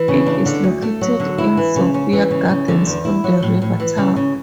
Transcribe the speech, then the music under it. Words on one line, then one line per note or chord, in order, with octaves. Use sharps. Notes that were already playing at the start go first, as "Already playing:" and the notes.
It is located in Sophia Gardens on the River Taff.
Already playing: E3
C#3
D4
D3
D2
A3
F#3
D3
E4
E3
C#3
C#4
E3
C#3
C#3
D3
E2
E4
F#3
A2
A2
E3
C#3
C#3